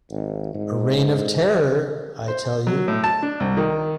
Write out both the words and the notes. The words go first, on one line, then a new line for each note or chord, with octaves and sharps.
A reign of terror, I tell you.
G#1
G#2
C5
F#3
A2
A5
D4
C2
D#3